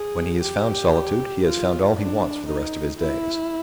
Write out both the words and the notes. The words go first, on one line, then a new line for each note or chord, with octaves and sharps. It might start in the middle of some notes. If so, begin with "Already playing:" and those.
When he has found solitude, he has found all he wants for the rest of his days.
Already playing: G#4
G4
F4
D4
D#4
E4